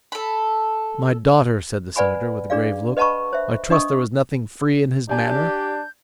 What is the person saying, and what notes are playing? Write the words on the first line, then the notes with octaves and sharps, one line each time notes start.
"My daughter," said the Senator, with a grave look, "I trust there was nothing free in his manner?"
A4 B5
B4 D5 F#5 G#5 B5
D4 G#4 D5 F5
B4 D#5 F#5 A5 B5 C#6
C5 E5
D4 D#5 C#6 D#6
D4 G4 D5 G#5 G6